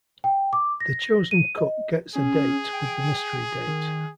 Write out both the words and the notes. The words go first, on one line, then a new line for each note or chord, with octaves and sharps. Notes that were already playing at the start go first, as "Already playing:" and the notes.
The chosen cook gets a date with the mystery date.
G5
D6
A#6
D#7
D#5
C#4 G#4
G5
D#3